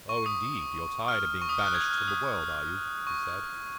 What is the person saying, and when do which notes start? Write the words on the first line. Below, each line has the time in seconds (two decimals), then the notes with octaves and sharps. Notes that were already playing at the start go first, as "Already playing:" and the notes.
'Oh, indeed; you're tired of being banished from the world, are you?' he said.
0.09 C#6
0.26 D#6
1.08 F6
1.42 C#6
1.49 D#6
1.58 F6
1.66 F#6
1.74 G#6
1.84 F#6
1.91 F6
2.08 D#6
3.07 C#6